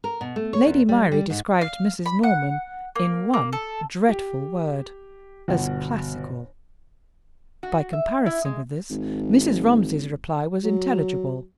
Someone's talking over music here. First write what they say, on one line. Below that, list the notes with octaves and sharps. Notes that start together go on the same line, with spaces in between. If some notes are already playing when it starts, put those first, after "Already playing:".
Lady Myrie described Mrs. Norman, in one dreadful word, as "Classical." By comparison with this, Mrs. Romsey's reply was intelligible.
A#4
B2
A3
C#5
E2
G3
G3
G#2
F5
B5
F#5
A#3
A#3
A4
G4
G1 B2 F#5
F#4
E5
E4
G#3
G#1
F#3